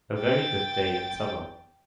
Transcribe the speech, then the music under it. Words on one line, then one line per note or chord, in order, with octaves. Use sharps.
A very good day in Summer.
G5 A6